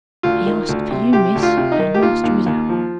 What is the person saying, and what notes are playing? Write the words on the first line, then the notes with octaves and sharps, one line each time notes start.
'He asked for you, miss; and master is out.'
D2 F4
D#3
D2
C3
C3 G4
D2
F4
C3
D#4
D#3
G4
D#2 F4
D#2
D#2
F3